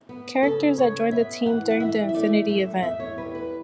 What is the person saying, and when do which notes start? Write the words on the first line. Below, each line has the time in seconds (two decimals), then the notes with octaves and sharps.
Characters that joined the team during the "Infinity" event.
0.09 B3
0.43 C#3 A4
0.78 B3 C#5
1.12 B3 E5
1.46 E3 F#5
1.71 F#5
1.80 E3 E5
2.09 E5
2.14 A3 D5
2.49 F#2 E5
2.83 E2 E5
3.00 C#5
3.18 G3 B4
3.35 B4